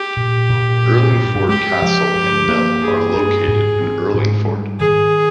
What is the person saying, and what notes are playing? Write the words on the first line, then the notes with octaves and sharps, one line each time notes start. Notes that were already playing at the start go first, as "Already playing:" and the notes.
Urlingford Castle and mill are located in Urlingford.
Already playing: G4
A#2
A#2
G2
G2
G#3 G4
F3
G2
A#3
G2 G#4
G2
G#2
C4
G#2
G3
D#3 G#4